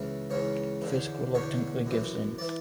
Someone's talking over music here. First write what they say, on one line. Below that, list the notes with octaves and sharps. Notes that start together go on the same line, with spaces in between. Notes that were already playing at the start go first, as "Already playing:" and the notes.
Fiske reluctantly gives in.
Already playing: C#2 C#3 E3
C#2 C#3 E3 C#5
E2 D3
E2 D3 C#5
F#2 E3
E3 D5